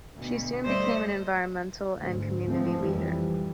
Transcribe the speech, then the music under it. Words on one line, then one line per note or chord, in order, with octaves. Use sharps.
She soon became an environmental and community leader.
D2 B2
G3 A3 C5 D5 D#5
D2 G#2
E3 F3 G#3 A3 C4
F2 E3 G3